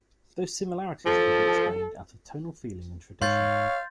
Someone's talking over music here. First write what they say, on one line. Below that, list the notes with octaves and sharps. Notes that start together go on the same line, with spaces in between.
Those similarities can be explained out of tonal feeling and tradition.
F3 A4
G#2 C#5 F5 C6 G6 A6